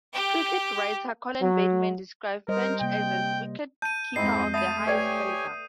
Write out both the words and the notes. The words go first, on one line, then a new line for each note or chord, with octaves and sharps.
Cricket writer, Colin Bateman, described French as "a wicketkeeper of the highest calibre".
G4 G5
F#3
G3 A#4 C5 D#5
C3 A#3 G5
A5 G6 D#7
F2 G#2 G#3 C4 E4 D#5 C7
A3 E5 F#5 A5 B5 D#6 D#7
G4 B4 C#5 D5 G5 G#5